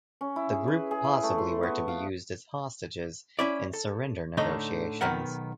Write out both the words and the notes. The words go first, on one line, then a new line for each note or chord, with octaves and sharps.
The group possibly were to be used as hostages in surrender negotiations.
C#4
E4
G#4
B4
G#4
E4
A3
C6
B3
F5
C#4 E4 D5
A4
A2 D3 A3 D#4 C#5 D#5
B1 D#3 B3 A#4 F#5